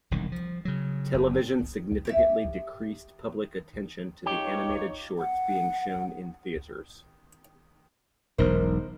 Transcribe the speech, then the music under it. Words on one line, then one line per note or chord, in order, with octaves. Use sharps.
Television significantly decreased public attention to the animated shorts being shown in theaters.
E1 C2 D#3
F3
C#3 F#3
F#1
G4 C#5 E5
D#4 F4 G4 C#5
F#5
E1 B1 D#4 A#4 C5